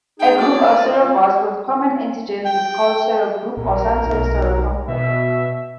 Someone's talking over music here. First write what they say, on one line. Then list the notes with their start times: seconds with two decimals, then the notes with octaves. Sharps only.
A group of serovars with common antigens is called a serogroup or sometimes "serocomplex".
0.20 D#4 G#4 G5
0.38 D4 F#4 G#4 D5
0.51 C#5
0.63 B4 C5 A5
0.83 F4 D#5
2.46 G5
3.57 A#1 A#4
4.04 B1
4.88 B2 E5